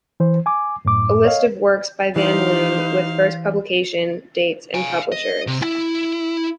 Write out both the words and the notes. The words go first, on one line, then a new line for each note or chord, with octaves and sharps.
A list of works by van Loon, with first publication dates and publishers.
E3 C5
G#5 D6
F#2 A2 D6
C#5 D#5 F5
E3 D#4 G4 C5 F5
F5 G#5
D#5
C3
E4